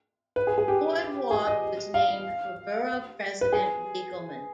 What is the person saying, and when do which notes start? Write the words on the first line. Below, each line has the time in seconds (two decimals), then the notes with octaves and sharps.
The boardwalk was named for Borough President Riegelmann.
0.36 B4
0.47 G#4
0.58 G#4
0.68 G4
1.31 G#4
1.47 D#5
1.94 F5
3.41 B4
3.53 G#4